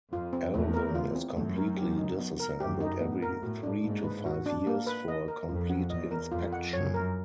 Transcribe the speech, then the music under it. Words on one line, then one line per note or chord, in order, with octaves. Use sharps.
"Alvin" is completely disassembled every three to five years for a complete inspection.
F2 F4
C4
E2 A3
A#4
F4
C4
F#2 A3
A#4
G4
D#4
B3
A#4
F#2 G4
D#4
A2 B3
A#4
A2 F#4
D4
G#2 A#3
B4
F#4
D4
A#3
B4
D#5
A#4
F2 F4
F#5
E2 D#5
A#4
F2 F4
F#5
F#2 C#5
A#4